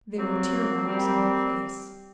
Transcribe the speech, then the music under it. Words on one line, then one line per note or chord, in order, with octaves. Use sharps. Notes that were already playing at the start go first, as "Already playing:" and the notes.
There were tear-marks on her face.
F#3 A#3 C4
G3 A#3 C4